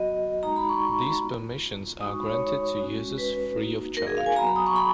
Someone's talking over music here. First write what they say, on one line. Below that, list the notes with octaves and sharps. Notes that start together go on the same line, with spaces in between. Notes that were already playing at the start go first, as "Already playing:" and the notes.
These permissions are granted to users free of charge.
Already playing: F#3 B3 F#4 D#5
G#3 D#4 F#4 A#5
B5
C#6
C#6
B3 F4
G#3 D#4 F#4 D#6
C#6
B5
C#5
G#3 C#4 F#4
B4
A#3 D#4 F#4
A#4
G#4
F5
G#5
F#3 B3 F#4 A#5
B5
D#6
C#6
B5